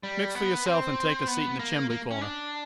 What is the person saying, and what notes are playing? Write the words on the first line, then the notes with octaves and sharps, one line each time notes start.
Mix for yourself and take a seat in the chimbley-corner.
G3
B3
C4
B3
A#3
A#3
C#4
D4